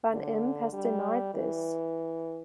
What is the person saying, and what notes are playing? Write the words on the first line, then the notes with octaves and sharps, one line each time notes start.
Van Impe has denied this.
D3
G3
E3